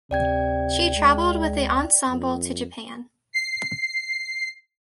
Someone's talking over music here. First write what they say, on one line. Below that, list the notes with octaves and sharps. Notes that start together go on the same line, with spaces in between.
She travelled with the ensemble to Japan.
D2 C3 D5 G5 G#6
G#3
F2
C7